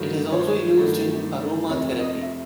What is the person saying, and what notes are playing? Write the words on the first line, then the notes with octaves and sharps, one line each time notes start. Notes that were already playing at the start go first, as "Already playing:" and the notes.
It is also used in aromatherapy.
Already playing: G2 D#3 F#3 A3
C#5
C5
C#5
G2 D#3 F#3 A3
F1 F2 C3 C#5
D#5
E5